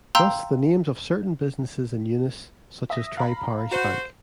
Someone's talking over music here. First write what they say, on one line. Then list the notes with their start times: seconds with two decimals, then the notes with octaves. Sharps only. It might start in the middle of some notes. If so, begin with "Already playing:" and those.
Thus the names of certain businesses in Eunice, such as Tri-Parish Bank.
0.15 F5 G5 A#5 C6 E6 G6
2.90 E5 D#6 A#6
3.17 F5 A#5 B5
3.72 F#4 C5